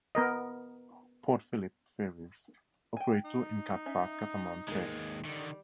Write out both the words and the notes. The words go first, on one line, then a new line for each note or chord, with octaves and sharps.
Port Phillip Ferries operate two Incat fast catamaran ferries.
B3 A#4 D#5
G5 G#5
D#4
C#4 E5
D#2 G#3 D#4 A#4
D3 D#3 G3